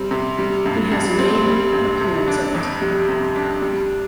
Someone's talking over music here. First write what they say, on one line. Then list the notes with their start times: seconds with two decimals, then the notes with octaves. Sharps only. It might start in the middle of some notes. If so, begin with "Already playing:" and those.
He has maiden appearance of it.
Already playing: C3 G3 C4
0.11 C3
0.39 G3
0.66 G2
0.92 G2
1.19 C4
1.46 G3
1.73 G2
2.00 C3
2.28 D4
2.55 F2
2.82 G3
3.08 C3
3.36 D4
3.62 G3